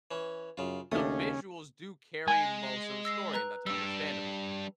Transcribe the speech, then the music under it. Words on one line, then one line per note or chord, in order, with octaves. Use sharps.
the visuals do carry most of the story, and that's understandable.
E3 C#4
F#2 C#3 F4
D#2 C#3 A3 C#4 D4 D#6
G#3 G#5
E6 A#6 C7
B4 A#5 F#6
G3 D4 E6